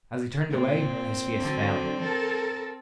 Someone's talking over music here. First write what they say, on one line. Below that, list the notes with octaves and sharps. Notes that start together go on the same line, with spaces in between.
As he turned away his face fell.
A#2 C4
D3 F#3
A4 A#4